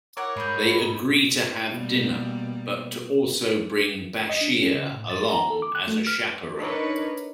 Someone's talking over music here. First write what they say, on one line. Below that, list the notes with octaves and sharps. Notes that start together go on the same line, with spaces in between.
They agree to have dinner, but to also bring Bashir along as a chaperone.
E4 A#4 C#5 F#5 D6
G#2 G#4 B5 G6
B2 G3 A#3
D#5
D4
C#4
C#3
A2
A6
A#5
A4
D6
F#6
A3
F6
D4 D#4 A#4 B4 C#5